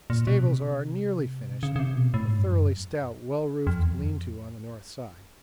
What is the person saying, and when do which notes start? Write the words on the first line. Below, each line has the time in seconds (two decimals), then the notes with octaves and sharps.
The stables are nearly finished--a thoroughly stout well-roofed lean-to on the north side.
0.10 A#2
0.27 B2
0.44 C3
1.63 C#3
1.76 C#3
1.79 C3
1.96 B2
2.14 A2
2.26 G#2
2.38 G2
2.52 F#2
3.67 F2
3.79 E2
3.91 F2